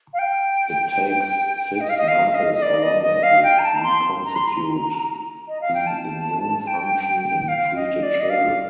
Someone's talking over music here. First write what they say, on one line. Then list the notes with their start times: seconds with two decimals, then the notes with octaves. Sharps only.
It takes six months or longer to reconstitute the immune function in treated children.
0.14 F5
0.19 G5
1.81 D#5
1.89 F5
1.98 D#5
2.08 F5
2.30 F5
2.35 D#5
2.55 D#5
2.62 D5
2.82 D#5
3.03 D#5
3.23 F5
3.43 G5
3.59 A#5
3.63 A5
3.76 A#5
3.83 C6
4.25 A#5
4.36 C6
4.48 A#5
5.48 D#5
5.61 F5
5.74 G5
5.87 A5
6.67 G5
7.48 F5
7.76 D#5
8.03 D5
8.20 D#5
8.30 F5